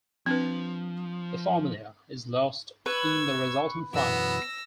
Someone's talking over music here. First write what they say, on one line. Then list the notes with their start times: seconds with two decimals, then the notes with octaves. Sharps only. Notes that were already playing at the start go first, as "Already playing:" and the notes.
The formula is lost in the resulting fire.
0.26 F3 C4 D4 B4
2.86 B4 C#6 E6 G#6
3.93 F#2 B2 E3 B3 E6 A#6